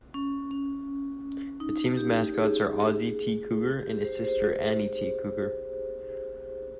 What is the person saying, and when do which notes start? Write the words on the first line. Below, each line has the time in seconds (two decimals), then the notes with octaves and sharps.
The team's mascots are Ozzie T. Cougar and his sister Annie T. Cougar.
0.14 C#4
0.51 C#4
1.60 D#4
1.97 G4
2.34 G#4
3.80 G4
4.05 C5
4.24 C5